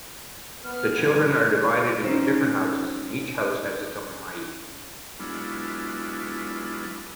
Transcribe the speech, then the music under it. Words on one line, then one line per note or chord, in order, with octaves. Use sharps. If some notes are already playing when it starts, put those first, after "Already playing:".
The children are divided into different houses and each house has its own 'amayi'.
B3 F6
A1 G2 A#2 G#6
C#4 D#4 C5
F#3 G#3 B3 D4 E4 F4